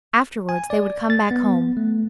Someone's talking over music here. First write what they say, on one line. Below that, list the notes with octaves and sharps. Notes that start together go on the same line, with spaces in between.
Afterwards they would come back home.
G#5
D5
A6
B3
A3